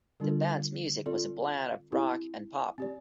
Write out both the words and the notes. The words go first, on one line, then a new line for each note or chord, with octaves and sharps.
The band's music was a blend of rock and pop.
D3 G3 D4 F4 A4
C4 F4 A4 D5
C4 E4 G4
C4 G4 D5